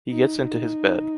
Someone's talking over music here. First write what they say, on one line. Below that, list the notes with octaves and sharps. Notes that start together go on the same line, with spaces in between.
He gets into his bed.
D#4
D#4